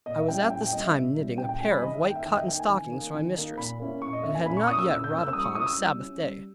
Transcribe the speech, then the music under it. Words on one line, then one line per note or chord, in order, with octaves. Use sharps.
I was at this time knitting a pair of white cotton stockings for my mistress; and had not yet wrought upon a Sabbath day.
A#2 D#5
E5
G3 C#4 E4 G5
E5
A#2 G5
G5
G3 C#4 E4 D#5
E5
A#2
G3 C#4 E4
A#2 G5
G5
G3 C#4 E4 G#5
B5
D#3 D#5
E5
A#3 D#4 G5
E5
D#3 G5
D#5
E5
A#3 D#4 G5
G#5
D#3
A#3 D#4
D#3
A#3 D#4
A#2 B5
A#3 C#4 E4
A#2 C#6
D#5
A#3 C#4 E4 E5
G#5
A#2 B5
C#6
A#3 C#4 E4 D#6
E6
A#2 E6
G6
A#3 C#4 E4
E6
E6
G3 D#6
C#6
C#4 E4 D#6
E6
G3
C#4 E4
G3